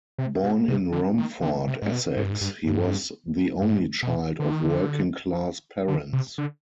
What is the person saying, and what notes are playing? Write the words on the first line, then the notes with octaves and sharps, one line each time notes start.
Born in Romford, Essex, he was the only child of working-class parents.
C3
B2
C3
D3
D#3
D3
C3
G#2
B2
G#2
G2
G#2
G2
G2
G2
G#2
B2
D3
D#3
D3
D3
C3
D3